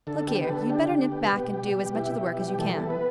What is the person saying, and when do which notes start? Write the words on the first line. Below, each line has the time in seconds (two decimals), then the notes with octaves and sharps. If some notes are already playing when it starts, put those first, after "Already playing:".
Look here, you'd better nip back and do as much of the work as you can.
0.07 D3 A4
0.28 B3 G4
0.44 B4
0.48 D3 A4
0.70 D4 G4
0.90 D3
1.12 B3
1.33 B2
1.54 G3
1.75 B2
1.95 E4 G4
2.17 B2
2.38 G3
2.58 E3 A4
2.74 A4
2.80 B3
2.90 B4